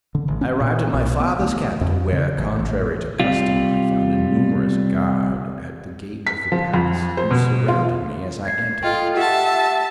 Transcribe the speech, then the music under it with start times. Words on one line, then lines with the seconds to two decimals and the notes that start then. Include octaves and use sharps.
I arrived at my father's capital, where, contrary to custom, I found a numerous guard at the gate of the palace, who surrounded me as I entered.
0.15 D3
0.28 A1
0.41 C#4
0.60 A#2
0.94 B1
1.20 B3
1.39 D2
1.81 F2
2.13 C#3
2.38 A1
2.59 A1
3.20 C3 G3 F4
6.27 B6
6.52 F3
6.74 F2
7.17 C5
7.31 B2
7.68 F4
8.45 G#6 C7
8.83 F4 A4 D#5 G5
9.17 G4 E5 F#5 A5